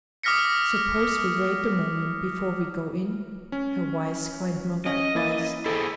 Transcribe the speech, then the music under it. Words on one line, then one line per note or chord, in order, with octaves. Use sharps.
"Suppose we wait a moment, before we go in?" her wise grandmother advised.
D6 D#6 F6 A#6 B6 C#7
C#4
C#4 D#5
A#3 E4 A6
E4 G#4 A4 C5